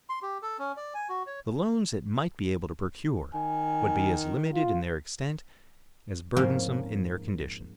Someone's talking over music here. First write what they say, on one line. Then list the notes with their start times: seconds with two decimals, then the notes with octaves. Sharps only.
The loans it might be able to procure would be as limited in their extent as burdensome in their conditions.
0.09 C6
0.22 G4
0.42 A4
0.59 C#4
0.77 D5
0.94 G#5
1.09 F#4
1.27 C#5
3.34 D#3 G#5
4.54 F4
6.36 F2 G#2 F3 A#3 C#4